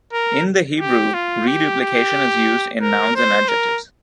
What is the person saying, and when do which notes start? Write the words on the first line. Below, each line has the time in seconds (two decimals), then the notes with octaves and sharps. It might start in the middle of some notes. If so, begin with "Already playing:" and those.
In the Hebrew, reduplication is used in nouns and adjectives.
0.13 A#4
0.80 G4
1.14 F4
1.47 G4
1.81 G4
2.82 A#4
3.15 C5
3.49 A#4